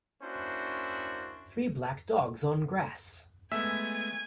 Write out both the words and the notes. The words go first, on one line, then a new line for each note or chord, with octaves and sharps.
Three black dogs on grass.
A#3 C#4 D4 E4 F#4 C5
G#3 A3 B3 E5 G#5 G#6